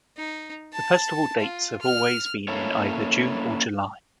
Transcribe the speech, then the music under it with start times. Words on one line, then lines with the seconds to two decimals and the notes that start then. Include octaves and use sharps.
The festival dates have always been in either June or July.
0.17 D#4
0.73 A5
1.40 F4
1.81 F6
2.48 A#3 C#4 E4 A4 C#5